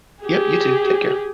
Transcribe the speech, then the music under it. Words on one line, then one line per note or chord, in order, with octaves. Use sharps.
Yep. You too. Take care.
G4 G#4